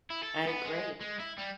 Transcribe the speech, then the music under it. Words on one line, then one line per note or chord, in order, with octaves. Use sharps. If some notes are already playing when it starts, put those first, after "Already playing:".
I agree.
E4
A4
B3
G#3
G#3
E4
G3